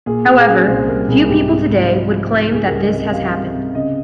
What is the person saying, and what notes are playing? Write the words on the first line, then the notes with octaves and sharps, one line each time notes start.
However, few people today would claim that this has happened.
A#2 G#4
A#2
G#4
C#4
C2 C5
G3 A#4
C2 G#4
G#2 G4
G#2
G#2
F3
F3
G#2
C#2 G#4
G3 A#4
D#5
C3 D#5
G3 F5
C3
C3
C#3 D#5